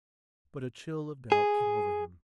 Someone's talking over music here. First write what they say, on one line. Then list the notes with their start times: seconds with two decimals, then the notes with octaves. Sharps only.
But a chill of doubt came over him.
1.32 G#4